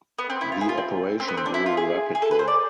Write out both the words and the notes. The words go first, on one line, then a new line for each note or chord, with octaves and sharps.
The operation grew rapidly.
B3
C4
E4
F4
G#4
F4
C4
C4
B3
C4
D4
E4
F4
G#4
G#4
A4
B4
C5
D5